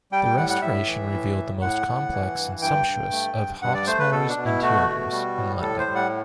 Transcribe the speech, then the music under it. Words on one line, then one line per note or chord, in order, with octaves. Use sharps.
The restoration revealed the most complex and sumptuous of Hawksmoor's interiors in London.
G3 G5
G5
A2 F#5
F#5
A2 E5
E3
A2
A2
A2 F#5
A2
E3
G2
G2 G5
G2
A3
G2
G2 F#5
D5
A3 C5
B4
B2 A4
D4
B2
E4
A3 F#4
B2
G3
A2
A2 A4
C5
G3
F#5